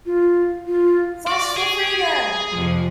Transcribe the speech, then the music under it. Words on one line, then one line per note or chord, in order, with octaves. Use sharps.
Flash For Freedom!
F4
F4
D5
G#4
F2 C3 F3